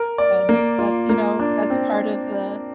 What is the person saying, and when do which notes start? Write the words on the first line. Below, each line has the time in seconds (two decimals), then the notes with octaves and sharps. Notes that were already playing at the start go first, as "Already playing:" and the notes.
and that's you know, that's part of the
Already playing: A#4
0.18 D5
0.49 A#3
0.79 F4
1.09 A#3
1.39 D4
1.70 C4